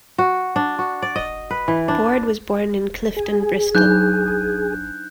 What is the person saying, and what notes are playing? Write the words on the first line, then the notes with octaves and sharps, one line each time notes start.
Board was born in Clifton, Bristol.
F#4
D4
F#4
D5
D#5
B4
E3
D4
G#4
F#3 D4 D#4 F#6 G6